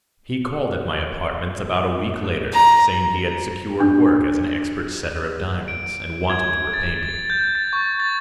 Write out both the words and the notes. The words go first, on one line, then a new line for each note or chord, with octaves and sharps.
He called at my apartments about a week later, saying he had secured work as an expert setter of diamonds, and wanted to repay me.
A#5
D4
D7
G#6
A6
A6
G6
A6
C#6
A6